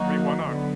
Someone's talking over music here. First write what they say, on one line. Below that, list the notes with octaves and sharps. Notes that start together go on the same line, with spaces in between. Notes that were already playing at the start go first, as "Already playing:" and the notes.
I mean, why not?
Already playing: D#3 F#3 A#3 D#4 F#4
D3 F#3 B3